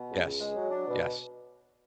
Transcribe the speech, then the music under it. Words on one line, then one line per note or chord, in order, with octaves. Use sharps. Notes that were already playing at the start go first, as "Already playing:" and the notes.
Yes, yes.
Already playing: B2
C#2
C#2
G#3
F#3
D4
B2